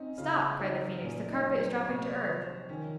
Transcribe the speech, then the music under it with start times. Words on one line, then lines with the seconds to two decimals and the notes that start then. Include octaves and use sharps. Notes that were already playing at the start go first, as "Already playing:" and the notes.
'Stop!' cried the Phoenix; 'the carpet is dropping to earth.'
Already playing: C4 C#4 D#4
0.18 C#3 F4
0.60 F#3 D#4
1.01 A#2 C#4
1.29 D#4
1.43 F#3
1.57 C5
1.85 C3 C#5
2.13 C#5
2.28 F3
2.41 C5
2.69 D#3 C#4